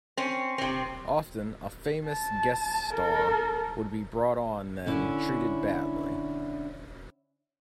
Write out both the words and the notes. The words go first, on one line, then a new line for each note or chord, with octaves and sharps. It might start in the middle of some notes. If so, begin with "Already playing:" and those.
Often a "famous" guest star would be brought on then treated badly.
C4 C#4
C3 C4
A5
A4 A#4
D3 C#4 E4